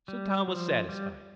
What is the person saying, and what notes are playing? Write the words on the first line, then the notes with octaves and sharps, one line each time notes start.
So Tom was satisfied.
G3
F3
G3